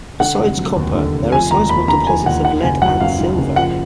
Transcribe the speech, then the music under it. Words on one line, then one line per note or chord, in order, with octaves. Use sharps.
Besides copper, there are sizeable deposits of lead and silver.
D3 F#5
F1
F#3
D#2
D3
F1
F3 G#5
D#2 A#5
D#2 B5
D3 A#5
F3 G#5
D#2 F#5
D#3 F#5
F#1 G#5
F#3 F#5
F#2 F5
D#3
F#1
F3 F#5